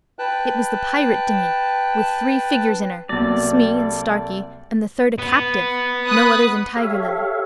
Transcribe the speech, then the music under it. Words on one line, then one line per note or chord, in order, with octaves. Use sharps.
It was the pirate dinghy, with three figures in her, Smee and Starkey, and the third a captive, no other than Tiger Lily.
B4 G5 A5 F#6
C2 F#3 G3 A#3 B3 A4 D5
B3
B5 D#6 F#6
G4 A4 C#5 E5 F5